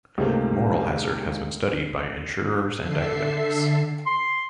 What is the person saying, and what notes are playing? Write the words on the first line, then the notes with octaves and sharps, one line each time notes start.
Moral hazard has been studied by insurers and academics.
C#2 G#2 C3 A3 A#3
D3 A4 E5 C7
C6